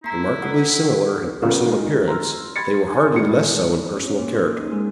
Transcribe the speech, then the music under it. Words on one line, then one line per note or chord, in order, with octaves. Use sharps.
Remarkably similar in personal appearance, they were hardly less so in personal character.
A#3 E4 A#5
A4 F#5
A#2 C#3 F3 G3 A#3 B3
D#3 G#3
A#5 C6 E6 F6
B5 C6 G#6 A6 C#7
G#5 C6
E1 A2 G#4 C#7
D#5
C#4
A#2
D#4
D#5
G#3